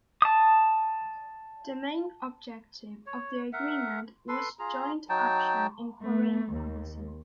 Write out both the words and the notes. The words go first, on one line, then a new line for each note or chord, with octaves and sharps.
The main objective of the agreement was joint action in foreign policy.
A5 D#6
C#5
A#4 E5 F#5
A4 B4 C6
F4 G#4 A#5
F#3 D#4 G5 A5
A3
D#2